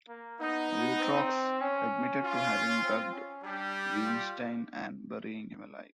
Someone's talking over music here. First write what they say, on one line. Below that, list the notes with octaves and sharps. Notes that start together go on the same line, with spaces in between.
Dutroux admitted to having drugged Weinstein and burying him alive.
A#3
B3 D#4
B3
C4
C#4
F4
C4
C#4
G3 D4 G4
F4